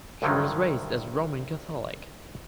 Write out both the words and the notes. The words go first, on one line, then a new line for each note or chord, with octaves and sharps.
She was raised as Roman Catholic.
C2 G2 D3 D#3 F#3